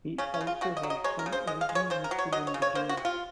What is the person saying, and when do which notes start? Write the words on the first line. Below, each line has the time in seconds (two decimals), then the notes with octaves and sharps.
He also has some original mixes in the game.
0.18 C#3 C#4
0.34 C#4
0.41 C#3
0.47 F4
0.61 C#3 F#4
0.77 D#5
0.83 F#3
0.90 D#5
1.04 G#3 C#5
1.19 A#4
1.26 C#3
1.32 C5
1.47 G#3 D#5
1.61 F5
1.69 G#3
1.75 C#5
1.90 C#3 C5
2.04 A#4
2.11 F#3
2.19 C#5
2.32 F#3 D#5
2.47 C#5
2.54 C#3
2.62 C#5
2.75 A#3 C5
2.89 F#4
2.97 C3
3.05 F4